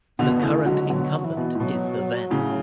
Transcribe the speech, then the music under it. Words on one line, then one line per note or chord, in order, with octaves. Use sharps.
The current incumbent is The Ven.
B2 D3 B3
D3
C#3 E3 A3
D3 F#3 G#3
G#3
B2 D3 F#3
E3
B2
A2
B2 F#3
A2 C#3